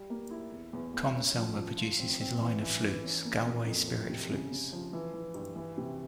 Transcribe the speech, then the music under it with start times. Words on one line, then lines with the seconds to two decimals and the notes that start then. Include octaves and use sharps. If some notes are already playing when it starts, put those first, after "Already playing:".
Conn-Selmer produces his line of flutes, "Galway Spirit Flutes".
Already playing: G3
0.10 A#3
0.31 E4
0.52 E2
0.73 E2
0.94 E2
1.15 C#4
1.36 F3
1.57 F3
1.77 F4
1.99 C4
2.21 C4
2.41 E3
2.63 E3
2.83 E3
3.04 C#4
3.25 A#3
3.46 A#3
3.67 F2
3.88 F3
4.10 C3
4.31 C#3
4.51 C#3
4.73 F3
4.93 E3
5.14 E3
5.35 G2
5.56 E3
5.78 C3